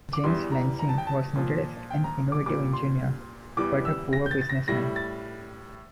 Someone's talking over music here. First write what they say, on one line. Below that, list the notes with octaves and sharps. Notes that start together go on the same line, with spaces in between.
James Lansing was noted as an innovative engineer, but a poor businessman.
D6
E2 E3 G3 C6
A#5
A#5
A5
G5
A5
A#2 F3
G5
A#5
D6
A#2 G3 D6
C6
E2 E3 G3 D6
E6
A#6
G6
A6
A6
A#6
A2 G3 A#6
A6